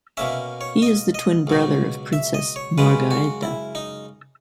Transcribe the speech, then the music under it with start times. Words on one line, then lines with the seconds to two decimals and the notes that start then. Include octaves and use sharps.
He is the twin brother of Princess Margaretha.
0.17 B2 A#3 C#4 E5
0.61 C#5
0.82 D#5
1.14 D#5
1.47 C#2 B2 F#3
2.13 E5
2.34 D#5
2.56 C#5
2.78 F#2 C#3 G#3 C#4 B4
3.11 F#4
3.43 E4
3.75 D#4